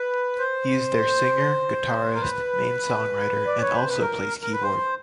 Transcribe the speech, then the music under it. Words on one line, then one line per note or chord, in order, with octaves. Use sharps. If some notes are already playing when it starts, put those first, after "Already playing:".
He is their singer, guitarist, main songwriter and also plays keyboard.
Already playing: B4
C5
A#4
B4
D5
C#5
C5
B4
A#4
A#4
B4
C5